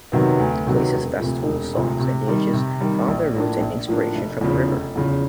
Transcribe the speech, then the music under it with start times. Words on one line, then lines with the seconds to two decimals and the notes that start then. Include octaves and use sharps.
The place's festivals, songs and dances found their roots and inspiration from the river.
0.12 C3 D#3 F#3 B3
0.39 D2
0.67 C3 D#3 F#3 B3
0.92 E1
1.19 D2 C3 F3
1.46 E1
1.73 D2 C3 F3
2.00 C3
2.27 D#3 G3
2.53 C3
2.80 D#3 G3
3.08 A#1
3.34 A2 F3 A#3 D4
3.60 A#1
3.87 A2 F3 A#3 D4
4.15 F1
4.41 E2 C#3 F3
4.68 F1
4.95 E2 C#3 F3